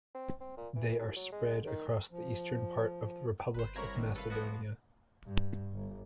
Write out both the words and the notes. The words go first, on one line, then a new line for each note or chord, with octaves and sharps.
They are spread across the eastern part of the Republic of Macedonia.
C4
C4
A#2
E3
C2
F#3
G#3
D#3
F3
G1 B4 C5
C2 A#4 C#5 A#5 B5 G#6
C3 D#3
A4 B4 F5
F3 B3 F#4
G2
G1